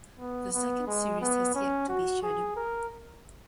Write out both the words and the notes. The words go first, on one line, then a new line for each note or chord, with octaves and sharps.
The second series has yet to be scheduled.
B3
B3
G#3
B3
C#4
F#4
G#4
A#4